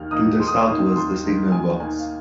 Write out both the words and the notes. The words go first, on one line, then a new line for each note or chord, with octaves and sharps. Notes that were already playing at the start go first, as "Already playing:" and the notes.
To the south was the signal box.
Already playing: D#2 D#3 A#3 F6
D#3 A#3 D#6
D#2 C6
D#6
C6
D#3 A#3
D#2 C6
D#3 A#3
D#2 G#5
D#3 A#3 G#5
F5